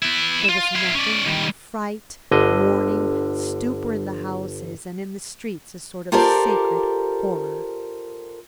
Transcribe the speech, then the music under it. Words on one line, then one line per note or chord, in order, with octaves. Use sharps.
There was nothing but fright, mourning, stupor in the houses; and in the streets, a sort of sacred horror.
B3 E4
F4
E4 F5
C#4 D5
D#3 G3
G1 D3 D#5
F4 G4 A4 A#4 C5 D5